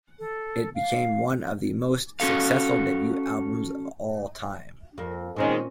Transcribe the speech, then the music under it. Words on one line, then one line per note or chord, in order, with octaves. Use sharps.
It became one of the most successful debut albums of all time.
A4
F5
C#4 F#4 A4 F5
F2 A#3
A#2 D#3 G#3 C4 C#4